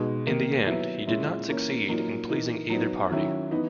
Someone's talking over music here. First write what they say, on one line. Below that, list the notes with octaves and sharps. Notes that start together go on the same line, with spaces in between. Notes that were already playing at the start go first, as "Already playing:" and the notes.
In the end, he did not succeed in pleasing either party.
Already playing: B2 G#3 D#4
D#3 A#3 D#4
F#3 B3 E4
A#2 G#3 C#4 E4
E3 A#3 C#4
A#2 F#3 A#3 D#4
E3 A#3 D#4
F#3 B3 D#4
D#3 F#3 C#4 E4
E3 B3 D#4